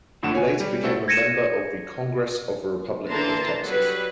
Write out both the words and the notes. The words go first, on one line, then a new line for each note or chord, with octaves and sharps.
He later became a member of the Congress of the Republic of Texas.
F2 A2 D3 F#5 E7
C#5 G#5
G3
A3 C4 E4 F#4 A4
G#6 A#6 C#7 D#7 E7
D3 E3 A#3 A5 A#5 C6
F#3 G3 B4